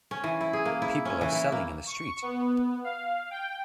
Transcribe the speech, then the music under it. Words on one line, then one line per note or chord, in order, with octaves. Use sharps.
People are selling in the street.
C#4
E3
E4
G#4
A#3
E4
C#4
E3
E4
A#3
C#6
B3
F5
G5